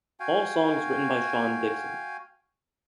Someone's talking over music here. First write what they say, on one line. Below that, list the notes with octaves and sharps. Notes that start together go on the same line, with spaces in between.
All songs written by Sean Dickson.
F#4 F5 G5 G#5